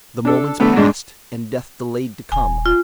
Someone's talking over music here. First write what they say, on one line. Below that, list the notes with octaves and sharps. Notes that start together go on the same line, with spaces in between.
The moments passed, and death delayed to come.
D4 A4
D3 A3 B3
G#2 G#3 D4
D#1 G#5
F4